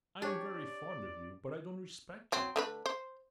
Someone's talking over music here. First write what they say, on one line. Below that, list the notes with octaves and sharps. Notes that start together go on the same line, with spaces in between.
I am very fond of you, but I don't respect you.
D4 G4 C#5 D5
F#3 C4
D3 A3 B4
C5